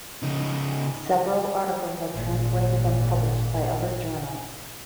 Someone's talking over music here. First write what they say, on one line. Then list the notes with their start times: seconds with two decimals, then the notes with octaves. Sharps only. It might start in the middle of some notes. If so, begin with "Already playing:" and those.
Several articles are translated and published by other journals.
0.23 C#3 D#4
2.14 G#1 A#2